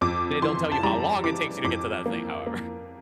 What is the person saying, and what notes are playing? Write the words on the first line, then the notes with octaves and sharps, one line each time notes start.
They don't tell you how long it takes you to get to that thing, however.
F2 D6
E3 C6
A5
G3 A#5
E3 D6
F2 D6
A#3
A#3